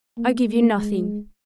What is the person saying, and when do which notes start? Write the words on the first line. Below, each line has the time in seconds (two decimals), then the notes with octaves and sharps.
I give you nothing.
0.17 A#3
0.47 A3
0.77 G#3